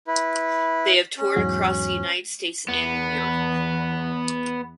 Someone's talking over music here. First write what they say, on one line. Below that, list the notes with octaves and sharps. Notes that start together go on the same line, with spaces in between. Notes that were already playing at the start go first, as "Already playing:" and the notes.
They have toured across the United States and in Europe.
E4 B4
C#4
E2 G#2 F#3
E2 B3